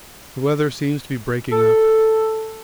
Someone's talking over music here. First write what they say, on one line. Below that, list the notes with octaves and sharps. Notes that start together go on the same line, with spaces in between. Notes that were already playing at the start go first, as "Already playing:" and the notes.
The weather seems to be breaking up.
A4